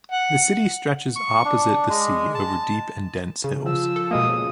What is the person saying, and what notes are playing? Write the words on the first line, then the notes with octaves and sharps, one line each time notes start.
The city stretches opposite the sea over deep and dense hills.
F#5
C#6
D4
G#3
A5
C#3
F3 E6
A4
B2 G#3 A#3 D#6
C#3